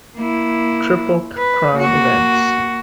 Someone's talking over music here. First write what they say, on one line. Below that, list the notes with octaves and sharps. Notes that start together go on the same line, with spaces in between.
Triple Crown events.
A#3 E4
B4
A#3 F#4